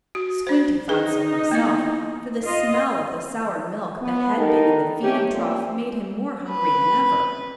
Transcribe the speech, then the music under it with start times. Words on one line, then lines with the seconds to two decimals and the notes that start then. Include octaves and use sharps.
Squinty thought so himself, for the smell of the sour milk that had been in the feeding trough made him more hungry than ever.
0.15 F#4
0.47 D4 C5
0.89 D#4 G#4 B4
1.51 A#3 B3 E4
2.41 F4 D#5
4.01 B3
4.35 D#4 G4 A4 A#4
5.01 A3 C#4 G4
5.31 F3 G3 A#3 C4 C#4
6.49 B4